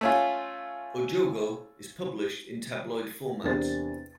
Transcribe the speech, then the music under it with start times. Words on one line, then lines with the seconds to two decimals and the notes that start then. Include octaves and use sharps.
"O Jogo" is published in tabloid format.
0.01 A3 C#4 F4
3.43 E2 C3 D4 A#4 C5 A6